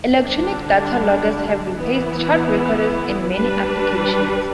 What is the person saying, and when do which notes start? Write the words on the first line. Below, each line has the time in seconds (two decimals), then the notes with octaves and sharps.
Electronic data loggers have replaced chart recorders in many applications.
0.20 D3 G3 D4
1.76 E3 B3 E4
3.31 G3 D4 B4